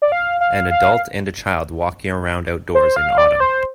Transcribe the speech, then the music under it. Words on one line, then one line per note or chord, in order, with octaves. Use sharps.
An adult and a child walking around outdoors in Autumn.
D5
F5
F5
F5
C5
F5
D5
C5